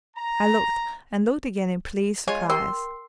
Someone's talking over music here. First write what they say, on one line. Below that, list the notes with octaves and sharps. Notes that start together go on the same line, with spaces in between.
I looked, and looked again in pleased surprise.
A#5
G#3 F4 C#5 G#5
G4 A#4 C6